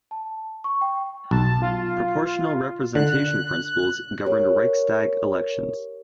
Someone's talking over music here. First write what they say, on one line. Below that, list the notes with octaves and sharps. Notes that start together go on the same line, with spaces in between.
Proportional representation principles governed Reichstag elections.
A5
C#6
G5
B1 A5
F4
D3 F#6
G4 A#4 C#5